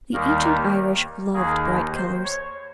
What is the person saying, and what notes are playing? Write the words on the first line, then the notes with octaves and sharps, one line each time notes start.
The ancient Irish loved bright colours.
D#2 D#3 G3 A#3 A#4
D#2 D#3 A#3 G#4
C5
C#5